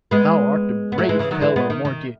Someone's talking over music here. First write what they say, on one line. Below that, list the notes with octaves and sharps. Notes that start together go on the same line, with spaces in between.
Thou art a brave fellow, mordioux!
G#3 B3
B3
F#3 A3
E3 G#3
C#3 E3
D#3 F#3
E3 G#3
G#3 B3
D#3
D#3